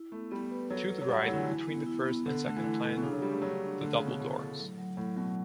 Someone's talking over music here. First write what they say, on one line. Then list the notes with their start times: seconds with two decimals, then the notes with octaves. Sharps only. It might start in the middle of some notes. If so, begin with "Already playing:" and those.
To the right, between the first and second plan, the double doors.
Already playing: E4
0.12 A3 B3
0.31 G3 B3
0.50 B4
0.70 F#3 A4
0.89 C#5
1.01 F#3
1.09 G3 F#5
1.18 A3
1.28 F#3 E4
1.34 D3
1.38 E3
1.48 E4
1.67 B3
1.87 E4
2.05 B3
2.25 D3 A4
2.44 D3 A3
2.56 E3
2.64 D3 E4
2.83 A4
2.97 B2
3.02 C#3 D4
3.13 F#3
3.22 G3 G4
3.32 A3
3.42 F#3 G4
3.61 D4
3.81 D3 A3
3.93 C#3
4.00 C#5
4.06 B2
4.19 A2 A3
4.39 A4
4.58 F#3
4.78 F#3
4.97 A2 F#3
5.16 B2 F#3